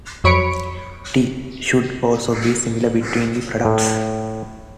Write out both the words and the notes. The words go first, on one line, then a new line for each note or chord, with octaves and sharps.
"T" should also be similar between the products.
F2 F#3 C#5 B5 C#7 D7
A2